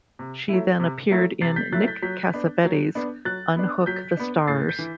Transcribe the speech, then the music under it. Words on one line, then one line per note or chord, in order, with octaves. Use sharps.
She then appeared in Nick Cassavetes's "Unhook the Stars".
C3
F#3 A3 E4
C3
F#3 A3 E4
C3 A6 C7
G6 B6
F#3 A3 E4 F#6 A6
G6 B6
F#3 G6 B6
B3 D4
F#3
B3 D4
F#3 F#6 A6
B3 D4
F#3 G6 B6
B3 D4
A2 A6 C7
G6 B6
E3